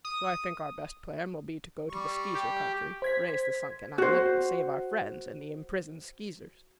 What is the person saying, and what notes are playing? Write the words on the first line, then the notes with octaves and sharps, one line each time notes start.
So I think our best plan will be to go to the Skeezer Country, raise the sunken island and save our friends and the imprisoned Skeezers.
D#6
G3 C#6
G4
C5 G#6 B6
F#4 C5